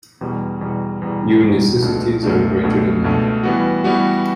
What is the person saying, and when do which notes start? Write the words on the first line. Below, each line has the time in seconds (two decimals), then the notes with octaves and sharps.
Your necessities are greater than mine.
0.21 E2 B2 G3
0.61 E2 B2 G3
1.02 E2 B2 G3
1.42 E2 B2 G3
1.82 C#2 B2 A3 D4
2.23 C#2 B2 A3 D4
2.63 C#2 B2 A3 D4
3.04 C#2 B2 A3 D4
3.43 E3 G3 B3 F#4
3.84 E3 G3 B3 F#4